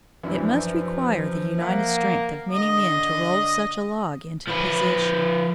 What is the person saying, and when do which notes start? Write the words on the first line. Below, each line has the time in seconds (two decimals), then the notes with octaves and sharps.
It must require the united strength of many men to roll such a log into position.
0.23 F#2 E3 F3 D4 E4
1.58 A#3 E5 F#5
2.51 D3 D#5 D#6
4.48 F3 B4